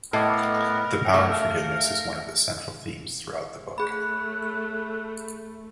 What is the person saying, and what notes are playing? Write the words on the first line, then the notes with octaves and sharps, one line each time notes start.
The power of forgiveness is one of the central themes throughout the book.
A2 B3 A4 A#4 D#5 D6
A3 E5 F5
A3 G#4 C#5 B5 F#6